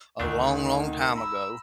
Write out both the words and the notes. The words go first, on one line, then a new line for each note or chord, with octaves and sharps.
a long, long time ago,
D2 D#3 A3 D4
A#5 B5 E6